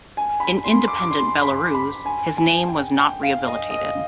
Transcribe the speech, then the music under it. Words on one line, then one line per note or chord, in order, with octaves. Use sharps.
In independent Belarus, his name was not rehabilitated.
G#5
B5
C6
D6
D6
C6
B5
B5
G#5
G#5
G5
G5
F5
D#5
D#5